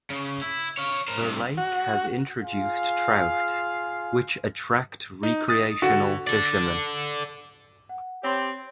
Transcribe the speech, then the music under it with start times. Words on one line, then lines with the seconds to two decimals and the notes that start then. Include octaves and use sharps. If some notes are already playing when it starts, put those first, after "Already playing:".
The lake has introduced trout, which attract recreational fishermen.
0.10 C#3
0.42 E4
0.78 C#5 F5
1.08 A#4 C5
1.21 G2 C3
1.57 F#4
2.43 F4 G#4 F5
5.23 D#4
5.49 D#6 A6
5.82 D3 F#4
6.27 A4 D5
7.89 F#5
8.23 C4 G4 C#5 B5 A6